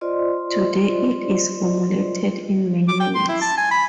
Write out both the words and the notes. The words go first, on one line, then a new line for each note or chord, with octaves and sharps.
Today it is formulated in many ways.
F4 C5 D5 D#5 C6
D6
G5
C6
E4
A5
G#5
B5